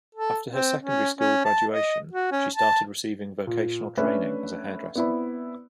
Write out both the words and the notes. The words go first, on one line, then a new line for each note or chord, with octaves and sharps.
After her secondary school graduation she started receiving vocational training as a hairdresser.
A4
C4
C#4
C#4
A5
D#5
F#4
C#4
A5
A#2
A3 C#4 D4 A4 B4 E5
B3 C4 E4 D5 B5